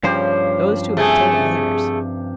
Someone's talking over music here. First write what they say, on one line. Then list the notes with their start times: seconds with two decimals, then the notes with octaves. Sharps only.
"Those two have told theirs."
0.04 G2 C#3 F3 G4 C5
0.97 C3 A3 G#4